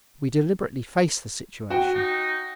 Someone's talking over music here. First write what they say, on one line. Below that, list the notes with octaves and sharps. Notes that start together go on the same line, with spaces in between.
We deliberately faced the situation.
F#4 G5
D#4